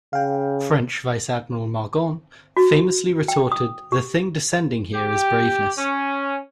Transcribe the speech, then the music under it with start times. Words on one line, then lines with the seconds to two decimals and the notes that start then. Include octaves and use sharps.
French vice-admiral Magon famously retorted "the thing descending here is braveness".
0.13 C#3 F5 G5
2.57 F#4
3.28 G5
3.52 D#6
3.92 G4
4.94 G4
5.78 C#4